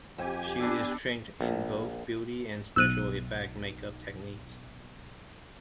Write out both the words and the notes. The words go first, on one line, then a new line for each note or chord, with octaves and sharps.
She is trained in both beauty and special effect make-up techniques.
F2 G4 G#5
B3 D4 E6
A#1
B1 E6 F#6 D#7